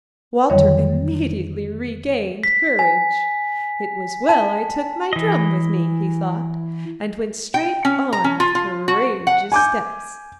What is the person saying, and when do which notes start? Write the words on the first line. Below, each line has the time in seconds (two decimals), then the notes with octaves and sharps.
Walter immediately regained courage. 'It was well I took my drum with me,' he thought, and went straight on with courageous steps.
0.50 F2 D3 D#3 F#3 G3 C#5
2.43 B6
2.79 G#5
4.29 A5
5.13 E3 D#5
7.54 G5
7.85 C#4
8.13 A#5
8.24 C#4
8.40 F4
8.55 F4
8.88 F#4
9.27 F#5
9.52 G#5 D6 G6